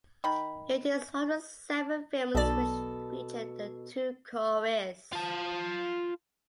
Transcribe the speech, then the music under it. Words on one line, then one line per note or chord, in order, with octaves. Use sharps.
It is one of seven films which featured The Two Coreys.
D#3 B5
B1 B2 A4 D5
F4 A5